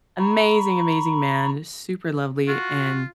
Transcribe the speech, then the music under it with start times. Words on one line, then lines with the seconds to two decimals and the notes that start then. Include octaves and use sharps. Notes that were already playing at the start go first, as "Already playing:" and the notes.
Amazing, amazing man. Super lovely. And,
0.18 A#5 B5 C#6
2.48 F4 F#4